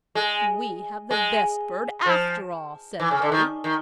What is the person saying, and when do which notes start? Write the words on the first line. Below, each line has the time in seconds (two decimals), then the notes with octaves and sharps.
"We have the best bird, after all," said they.
0.15 G#3
1.11 G#3
2.06 F3
3.00 E3
3.11 C#3
3.22 D3
3.32 D#3
3.64 D#3